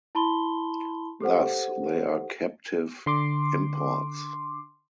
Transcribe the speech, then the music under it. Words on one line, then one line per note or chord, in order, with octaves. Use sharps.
Thus, they are captive imports.
E4 A5 B5 C6 G7
G4 A4 C5 F#5
D3 C6 D6